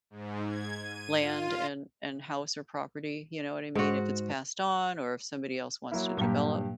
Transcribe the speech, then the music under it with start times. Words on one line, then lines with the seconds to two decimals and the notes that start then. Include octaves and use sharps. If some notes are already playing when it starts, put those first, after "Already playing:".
land, and and house or property, you know what I mean, if it's passed on or if somebody else wants to develop.
0.10 G#2
0.46 G#6
0.82 D#7
1.20 F4
3.75 G#2 F#4
5.91 F#3 A#3 E4
6.17 G2 A#2 F#3 A#3 G4